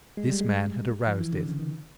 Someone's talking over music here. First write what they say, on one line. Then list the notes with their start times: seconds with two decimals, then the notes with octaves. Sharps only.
This man had aroused it.
0.17 G#3
0.29 G3
0.41 G#3
1.07 F3
1.20 E3
1.33 D3
1.47 C#3
1.59 D#3